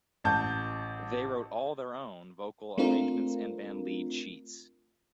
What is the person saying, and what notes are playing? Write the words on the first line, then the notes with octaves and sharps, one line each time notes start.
They wrote all their own vocal arrangements and band lead sheets.
A1 A5 G6
A3 C4 D4 F4 A#4